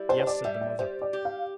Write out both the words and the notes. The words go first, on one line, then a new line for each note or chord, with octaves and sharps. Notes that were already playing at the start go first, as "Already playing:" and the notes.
"Yes," said the mother.
Already playing: G3 E4
D4 C5
C5
D5
G3 E5
E5
G3 C5
D5
G4
F5